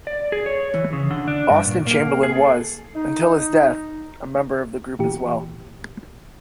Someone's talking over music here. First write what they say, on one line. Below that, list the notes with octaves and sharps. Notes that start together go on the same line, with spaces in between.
Austen Chamberlain was, until his death, a member of the group as well.
D5
G#4
C#5
E3
C#3
D3
D4
G2
A#2
A#3
G#4
A4
D#4
A#2 E3 G4